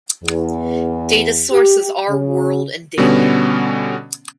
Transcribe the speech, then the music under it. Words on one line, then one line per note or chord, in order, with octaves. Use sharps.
Data source is Our World in Data.
E2
G4
C#3
B2 D3 G3 B3 C#4